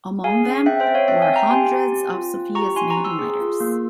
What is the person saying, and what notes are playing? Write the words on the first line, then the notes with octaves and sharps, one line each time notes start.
Among them were hundreds of Sophia's maiden letters.
G#4 F5 G#5
C#4
C4 E5 G5
C5 E5
C4
C#5 F5
C4 E5 G5
F5 G#5
C4
G5 A#5
G4 G#5 C6
G4
C4
F4
C4
G4 A#5 C#6
E4 G#5 C6
A#5 C#6
C4
C6 E6
G#4
F4
A#3